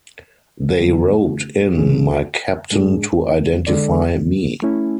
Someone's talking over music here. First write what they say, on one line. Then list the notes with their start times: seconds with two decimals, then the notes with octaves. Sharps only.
They roped in my captain to identify me.
0.79 F#2 D3 F#3 B3
1.76 A2 E3 A3 C#4 G#4
2.71 G#2 G#3 D4 G#4
3.67 D3 G#3 D4 A4 D5
4.62 A3 C#4 E4